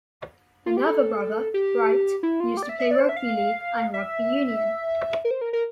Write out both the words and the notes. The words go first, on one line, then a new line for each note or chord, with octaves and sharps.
Another brother, Bright, used to play rugby league and rugby union.
F4
G4
A4
G4
E4
F4
G4
D5
E5
E5
D5
C5
E5
F5
E5
A#4
C5
A#4
A#4